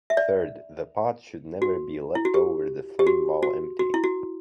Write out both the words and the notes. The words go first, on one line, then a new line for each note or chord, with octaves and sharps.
Third, the pot should never be left over the flame while empty.
E5
D5
F#4
E4
F#4
G4
G4
F#4
F#4
F#4
E4
F#4